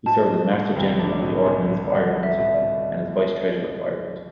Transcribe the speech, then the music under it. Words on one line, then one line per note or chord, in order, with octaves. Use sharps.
He served as Master-General of the Ordnance for Ireland and as Vice-Treasurer for Ireland.
B2 A5
B2
B2
C2
D4
B2
C2
B2
C2 F#5
A3
E5
B2
D5
B2